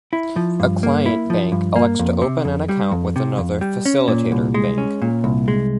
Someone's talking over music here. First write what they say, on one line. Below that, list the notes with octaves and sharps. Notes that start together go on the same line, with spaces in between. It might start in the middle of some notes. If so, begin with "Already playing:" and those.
A "client" bank elects to open an account with another "facilitator" bank.
E4
F3
G2
A#3
E4
F3
G2
A#3
F2
C3
F2
G3
F2
C3
F2
G3
C#4
A#2
C2
G#3
C#4
A#2
C2
G#3